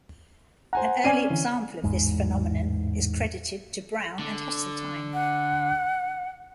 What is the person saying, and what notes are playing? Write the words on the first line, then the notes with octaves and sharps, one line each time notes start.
An early example of this phenomenon is credited to Brown and Heseltine.
C5 F#5 G#5 A#5
C4 C#4 D5 G#5 D#7
D3 E3
A1 E2 G#2 G#3
D3
F#5